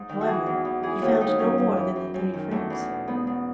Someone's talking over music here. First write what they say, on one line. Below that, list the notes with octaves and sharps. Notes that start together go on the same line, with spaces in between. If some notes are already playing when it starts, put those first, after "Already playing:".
However, he found no more than the thirty francs.
Already playing: G#2
D#3
F#4
E3 G#4
E2
E2
E3 G#4
D#2 F#4
D#2 D#4
F#2 C#4
F#2
E3
F#2
F#2
D#3
E2 A3
E2
B2
G#2 B3
G#2